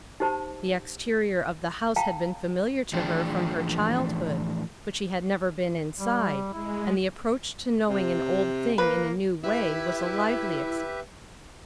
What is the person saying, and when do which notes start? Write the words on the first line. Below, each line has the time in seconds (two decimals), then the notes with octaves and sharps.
The exterior of the house had been familiar to her from her childhood, but she had never been inside, and the approach to knowing an old thing in a new way was a lively experience.
0.20 D#4 G4 C5 A5
1.96 F5 G5 A5 A#5
2.93 A2 E3 F3 D4 G#4 G5
5.98 G3
6.54 G#3 E4
7.89 C3
8.78 A#3 B4
9.44 E4 G4 B4 E5